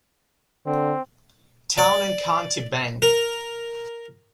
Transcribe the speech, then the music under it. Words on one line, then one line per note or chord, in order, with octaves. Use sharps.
Town and County Bank!
D3 C4
D5
A#4